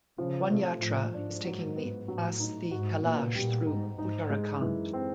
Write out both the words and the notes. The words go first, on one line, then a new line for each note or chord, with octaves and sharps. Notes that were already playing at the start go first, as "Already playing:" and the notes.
One Yatra is taking the asthi Kalash through Uttarakhand.
C#3 F3
C3 A3
A2 F3
G#2 D4
F#3
B3
A2 F#3
D#4
G#2 F#4
A#2 B3
A#2 G3
G#2 D#4
G#2 D#4
G#3
F#2 E3
C4